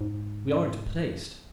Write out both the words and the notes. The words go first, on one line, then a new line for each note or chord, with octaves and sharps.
We aren't placed.
G#2